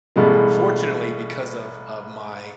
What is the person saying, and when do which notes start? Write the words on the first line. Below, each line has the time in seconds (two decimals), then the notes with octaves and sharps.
fortunately because of of my,
0.16 A1 B2 G3 G#3